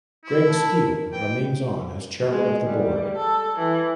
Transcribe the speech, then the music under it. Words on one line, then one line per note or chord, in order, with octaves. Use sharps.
Greg Steil remains on as chairman of the board.
E4
A3 A4
A#4
E3 G5
G#3
G3
A4
E3